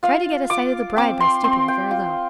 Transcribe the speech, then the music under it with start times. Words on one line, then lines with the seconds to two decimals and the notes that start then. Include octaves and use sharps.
"Try to get a sight of the bride by stooping very low."
0.03 F4 F5
0.50 F4 D6
0.97 C4 D6
1.21 C6
1.44 C4 C6
1.68 G5
1.91 F4